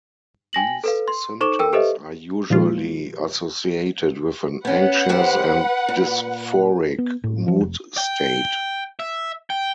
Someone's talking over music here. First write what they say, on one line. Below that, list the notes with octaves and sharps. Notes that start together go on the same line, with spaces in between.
These symptoms are usually associated with an anxious and dysphoric mood state.
G5 G#5 A#6 F#7
A4 B4 F5
C6
D#4 A4 C5 C#6 D6 E7
A4 A#4 G5 E6
G4 A4 B4 C5 D#5 E5
A#2 D#3 F3 G#3 F4
B3 C#4 B4 F#5
D#2 G4 C5
A#2
B3
A2
F3
F1
G5
E5
G5